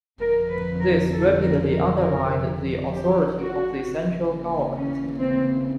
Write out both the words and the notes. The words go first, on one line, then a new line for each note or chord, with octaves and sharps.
This rapidly undermined the authority of the central government.
F2 D3 F3 A#4
B4
A#4
A4
A#4
A#4
A#4
G4
F#4
D#2 C#3 E3
C#4
C4